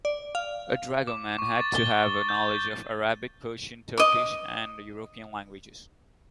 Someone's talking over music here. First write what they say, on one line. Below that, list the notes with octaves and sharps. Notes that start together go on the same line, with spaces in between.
A dragoman had to have a knowledge of Arabic, Persian, Turkish, and European languages.
D5
F5
D6
C#6
A6
G7
G7
G6
A6
D#5 D6